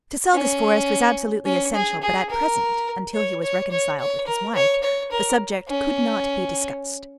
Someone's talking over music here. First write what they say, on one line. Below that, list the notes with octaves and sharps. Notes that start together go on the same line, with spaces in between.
To sell this forest was absolutely essential; but at present, until he was reconciled with his wife, the subject could not be discussed.
C#4
C#4
G#4
G#4
A#4
C#5
C#5
C#5
C#5
A#4
C#5
C#5
A#4
C#4